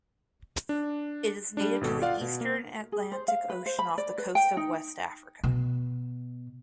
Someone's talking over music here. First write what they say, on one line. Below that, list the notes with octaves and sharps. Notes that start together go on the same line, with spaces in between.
It is native to the eastern Atlantic Ocean off the coast of West Africa.
D4
G3 D4
G#1 B2 A4
F4 D5 F5 F#5
B2
A#3
G#4
C5
F5
B4
C5
B5
D5
B4
G5
D#4
B2